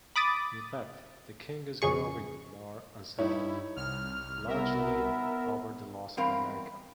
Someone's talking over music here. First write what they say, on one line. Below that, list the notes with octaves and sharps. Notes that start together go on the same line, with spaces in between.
In fact, the King is growing more unsettled, largely over the loss of America.
B5 D6 D#6 A6
F2 C#3 G#4 C#6
G2 D#4 E4 C#5
C2 F6
B3 A#4 E5
E2 G3 C4 A#4 F5